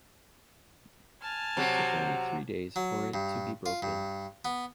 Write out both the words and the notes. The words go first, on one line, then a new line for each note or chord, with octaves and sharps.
It took only three days for it to be broken.
G#5 A5 F6
C3 F#3 F#5
F#3
G2
F4
G2
B3